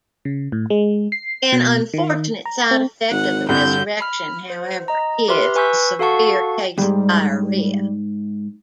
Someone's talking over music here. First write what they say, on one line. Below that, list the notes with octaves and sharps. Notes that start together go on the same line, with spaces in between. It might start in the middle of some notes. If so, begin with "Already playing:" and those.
An unfortunate side-effect of the resurrection, however, is a severe case of diarrhea.
C#3
A2
G#3
C7
B2
D#3
A#5
C4
G#1 F#5
C2 G2 D3 G6
B5 F6
C5
D#5 A#5
G4 B4 E5 C6 F6
B4 G#5 C#6 E6 G6 B6
F#4 A4 F5 F#5 A5 C#6
E2 G#2 G3